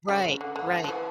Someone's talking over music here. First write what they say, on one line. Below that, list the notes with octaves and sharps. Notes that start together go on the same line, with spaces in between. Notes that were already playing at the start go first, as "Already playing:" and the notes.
Right, right.
C#3
D3
D3
F3
E3